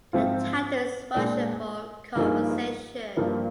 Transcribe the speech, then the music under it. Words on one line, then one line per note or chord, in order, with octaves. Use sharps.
The title is Russian for "Conversation".
G#2 F3 C4 F4
A#2 G#3 D4
G2 F3 A#3 D#4 G#4
G2 F3 A#3